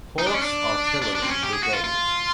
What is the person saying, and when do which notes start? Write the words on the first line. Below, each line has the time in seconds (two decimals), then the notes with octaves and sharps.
Horse Artillery Brigade.
0.18 D#4
0.27 D4
0.35 C#4
0.42 D4
1.02 D4
1.15 D4
1.22 C4
1.29 C#4
1.43 G4
1.53 G#4
1.63 F#4
1.73 F4
1.84 F4